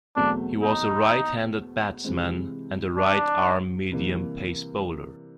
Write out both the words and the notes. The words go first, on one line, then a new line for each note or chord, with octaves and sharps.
He was a right-handed batsman and a right-arm medium pace bowler.
E2 B2 F#3 A3 C4 D4
D#4
C3 E3 G#3 C4
D4
C3 E3 G3 A#3